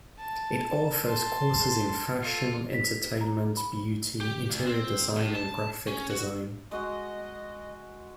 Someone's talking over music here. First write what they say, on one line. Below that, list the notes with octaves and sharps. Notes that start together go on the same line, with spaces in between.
It offers courses in fashion, entertainment, beauty, interior design, and graphic design.
A5
A5 C6
F4 A4
B6
A#5
B5
G4
D2
C4
A2
A5
C#4
F#4
G#3 F#4 D#5